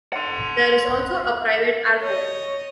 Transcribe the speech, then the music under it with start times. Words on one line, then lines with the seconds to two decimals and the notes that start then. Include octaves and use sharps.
There is also a private airport.
0.13 F#5 C6
2.01 C#5 D#5